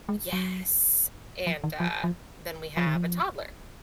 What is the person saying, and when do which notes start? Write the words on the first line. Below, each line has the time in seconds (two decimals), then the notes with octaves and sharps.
Yes, and, uh, then we have a toddler,
0.09 G#3
0.33 F#3
1.47 F3
1.64 D#3
1.80 F3
2.04 F3
2.77 F3
2.86 D#3
2.95 F3